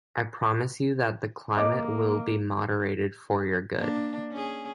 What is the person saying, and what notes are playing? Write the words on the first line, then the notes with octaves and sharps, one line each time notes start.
I promise you that the climate will be moderated for your good.
A#3 D#5 D6
A#3 D4
C#4 G#4